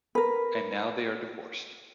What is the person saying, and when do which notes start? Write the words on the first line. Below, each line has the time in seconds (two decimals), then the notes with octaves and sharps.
And now they are divorced.
0.15 A#4 B4